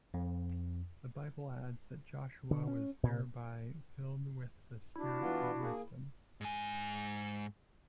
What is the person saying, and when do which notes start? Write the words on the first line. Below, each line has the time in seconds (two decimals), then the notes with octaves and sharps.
The Bible adds that Joshua was thereby "filled with the spirit of wisdom".
0.14 F2
2.51 D3
2.67 C#4
3.03 A#2
4.96 D4 E4 F#4 D5
5.20 E3 B3 F4
5.62 A#3 G#4
6.41 G#2 G#5